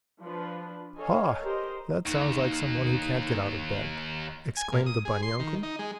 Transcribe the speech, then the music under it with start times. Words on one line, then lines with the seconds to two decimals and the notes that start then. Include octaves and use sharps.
"Ha! that sounds like some one who can't get out of bed," exclaimed the bunny uncle.
0.21 F3 D4 F4 B4
0.97 A4 C#5 D#5 F5 G#5
1.43 G4 A#4 C5 D#5
2.06 D#2 D#4
4.57 G#5
4.72 A#2
4.86 D#6
5.05 G#4
5.23 C6
5.39 D#3
5.63 D#4
5.79 G#3